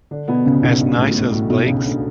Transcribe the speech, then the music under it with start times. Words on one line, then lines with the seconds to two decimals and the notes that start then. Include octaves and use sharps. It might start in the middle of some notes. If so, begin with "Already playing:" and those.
As nice as Blake's?
0.11 D3 D4
0.28 B2 B3
0.46 C#2 C#3
0.62 B1 B2
0.80 G2
0.98 A2
1.10 B2
1.15 A2
1.32 A2
1.49 B1 B2
1.67 C#2 C#3
1.84 D2 D3